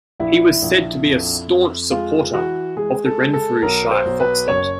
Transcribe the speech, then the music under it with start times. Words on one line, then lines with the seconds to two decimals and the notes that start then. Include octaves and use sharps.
He was said to be a staunch supporter of the Renfrewshire fox hunt.
0.20 A#1 E4
0.62 A#1
1.05 F2
1.48 F2
1.91 G#3 F4
2.34 E3 F#4
2.77 G#3 G#4
3.05 A4
3.19 G#3
3.34 A4
3.62 B1 A#4
3.91 C5
4.05 B1
4.20 B4
4.48 F#1 C#5